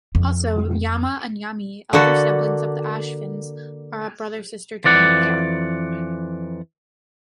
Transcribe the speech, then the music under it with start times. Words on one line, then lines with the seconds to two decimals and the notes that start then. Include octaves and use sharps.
Also, Yama and Yami, elder siblings of the Ashvins, are a brother-sister twin pair.
0.15 F2
1.93 D3 A#3 F#4 A4
4.84 F2 E3 D5 F#5